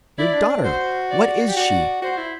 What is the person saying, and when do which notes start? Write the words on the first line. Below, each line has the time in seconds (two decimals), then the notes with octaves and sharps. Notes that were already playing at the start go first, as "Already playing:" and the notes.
Your daughter--what is she?
0.18 E4 D5
0.34 D4
0.49 D4
0.64 F#4 C5
1.11 D5
1.48 G4
1.56 F#4 D5
2.02 F#4 C5
2.18 E4